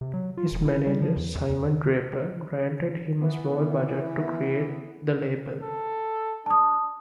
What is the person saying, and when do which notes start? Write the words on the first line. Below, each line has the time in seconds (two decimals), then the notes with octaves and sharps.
His manager, Simon Draper granted him a small budget to create the label.
0.01 C3
0.13 F#3
0.37 F4
0.51 E1
0.65 E4
0.86 G3
1.02 F3
1.16 E2
1.35 E2
1.49 E2
3.21 E3 B3
5.62 A4
6.46 D4 A5 D#6